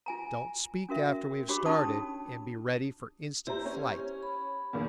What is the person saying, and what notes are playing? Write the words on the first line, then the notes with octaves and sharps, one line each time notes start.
Don't speak after we have started, and be ready for instant flight.
F4 G#5 A#5
C#4 F#4 A#4 E5
D4 F#4 G4 C#5 B5 D6
C#4 D#4 A5 D#6
E4 G4 C5 A#5
C#4
B5
E2 A#2 D#3